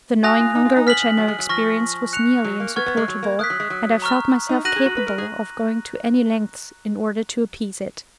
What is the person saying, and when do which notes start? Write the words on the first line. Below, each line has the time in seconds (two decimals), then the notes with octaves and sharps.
The gnawing hunger which I now experienced was nearly insupportable, and I felt myself capable of going to any lengths in order to appease it.
0.23 F#4 G#5 D#6 F#6 A#6 F7
0.40 F4
0.55 D#4
0.65 F4
0.76 D#4
0.86 B3 F6 B6 F#7
1.02 F3
1.18 F#3
1.28 G#3
1.39 F#3
1.49 F3 C#6 F6 A#6
2.13 F#6 C#7 F7
2.44 F#3
2.60 A#3
2.76 B3 C#6 F6 G#6
2.86 B3
2.97 G#3
3.08 F#3
3.23 A#3
3.39 A#3 D#6 F#6 B6
3.50 F#3
3.60 G#3
3.70 F#3
4.02 A#5 C#6 F6
4.49 D#4
4.65 F#4 F#6 A#6 D#7 F#7
4.76 G#4
4.86 F#4
4.97 B4
5.07 A#4
5.18 G#4